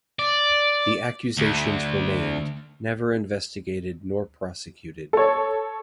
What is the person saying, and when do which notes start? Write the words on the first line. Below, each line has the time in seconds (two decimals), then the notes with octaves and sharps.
The accusations remained, never investigated nor prosecuted.
0.19 D5
1.37 D2
5.13 A4 C#5